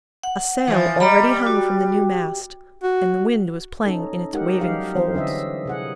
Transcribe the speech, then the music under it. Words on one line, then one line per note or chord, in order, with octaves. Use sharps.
A sail already hung from the new mast, and the wind was playing in its waving folds.
F#5
E3 F3
G3 D#5 A#5 B5
F#4
F#4
C#4 D#4 A4
G#3 D#4 G4 A#4 F#5
F#3 G3 D#4 G4 F5
E3 C4 C5
D3 C#4 D#5 E5
C3 G#4 F#5